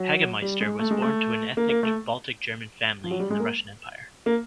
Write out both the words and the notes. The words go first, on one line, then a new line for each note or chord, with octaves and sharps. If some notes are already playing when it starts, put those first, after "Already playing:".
Hagemeister was born to an ethnic Baltic German family in the Russian Empire.
Already playing: F#3
G3
G#3
A3
G#3
A3
A#3
A#3
A3
F3
F#3
G3
G#3
A#3
A#3